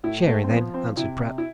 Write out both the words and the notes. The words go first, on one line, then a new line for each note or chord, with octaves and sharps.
"Sherry, then," answered Pratt.
A2 E4
A3
C4
F3 B3
C4
C3 E4
E4